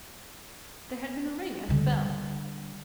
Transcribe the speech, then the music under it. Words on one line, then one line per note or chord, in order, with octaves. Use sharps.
There had been a ring at the bell.
D3 G3